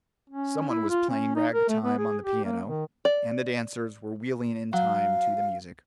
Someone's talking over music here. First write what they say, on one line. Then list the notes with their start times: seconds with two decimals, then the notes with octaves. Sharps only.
Some one was playing rag-time on the piano, and the dancers were wheeling in time to the music.
0.30 C#4
0.69 E4
0.90 F4
1.09 C#4
1.35 D#4
1.54 A#4
1.69 A3
1.83 B3
1.98 G#4
2.23 G4
2.44 A#3
2.66 D#3
3.05 D5
4.73 F#3 F5